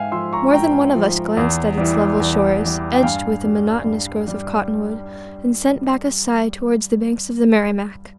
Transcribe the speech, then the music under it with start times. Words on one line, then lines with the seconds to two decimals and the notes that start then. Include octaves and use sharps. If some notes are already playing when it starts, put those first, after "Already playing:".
More than one of us glanced at its level shores, edged with a monotonous growth of cottonwood, and sent back a sigh towards the banks of the Merrimack.
Already playing: G#2 E5 F5 G5 G#5
0.12 F3 C6 E6
0.33 A#5 C#6
0.53 G#2 G5 A#5
0.95 F3
1.37 E2
1.78 E3 G3
2.20 E2
2.62 E3 G3
2.94 G5
3.03 G2 F5 G#5
3.45 G3
3.86 G2
4.28 G3